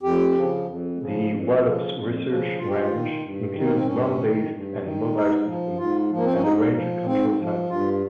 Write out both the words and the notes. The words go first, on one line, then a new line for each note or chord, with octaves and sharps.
The Wallops Research Range includes ground-based and mobile systems, and a range control center.
F2 G4
C#3 F3
F2
C#3 F3
F2
C#3 F3
F2
C#3 F3
G2 F4
G4
F4
D#3
G2
D#3
A#3
C4
G2 C#4
D#3
G2
D#3
G#2 D#4
F3
G#2 F4
F3
A#3
C4
C#4
G#2 D#4
F3
G#2 C4
F3
G2 F4